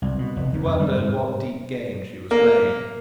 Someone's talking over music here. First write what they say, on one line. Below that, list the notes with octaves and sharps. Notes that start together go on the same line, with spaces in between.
He wondered what deep game she was playing.
C2
B2
F1
D#2
F2
G3
G#2
A#3